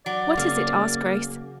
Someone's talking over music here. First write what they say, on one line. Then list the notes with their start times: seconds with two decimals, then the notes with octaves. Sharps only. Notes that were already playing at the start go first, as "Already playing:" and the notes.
"What is it?" asked Grace.
0.06 F#3 D5
0.37 C#3 A#3